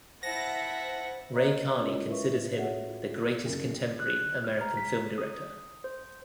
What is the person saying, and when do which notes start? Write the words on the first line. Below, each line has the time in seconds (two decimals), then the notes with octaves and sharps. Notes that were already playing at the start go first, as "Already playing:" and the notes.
Ray Carney considers him the greatest contemporary American film director.
0.23 E4 C5 E5 F#5 A5 A#6
1.35 A#4 C#5 D#5 F5 A#5
1.77 C#4 E4 F4 A#4 C#5 D#5
2.08 E4 A#4 B4 E5 C#6
2.27 A2
2.55 F#4 G#4 A4 C#5 E5 F#5
2.88 F4
3.45 F#1
4.00 F#6
4.44 F6
4.61 A#5
4.77 B6
5.18 D#6
5.84 C5